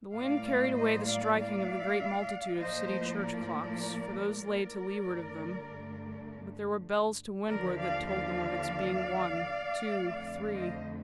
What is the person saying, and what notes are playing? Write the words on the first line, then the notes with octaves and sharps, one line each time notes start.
The wind carried away the striking of the great multitude of city church clocks, for those lay to leeward of them; but there were bells to windward that told them of its being One--Two--Three.
A2 G3 A#3 D5 F5
C5 D#5
D5 F5
D5 F5
A2 F3 A#3 C5 D#5
A#4 D5
A#4 D5
G2 D3 A3
D#2 D3 F3 A#4 D5
D5 F5
D5 F5
F2 D3 A3
C5 D#5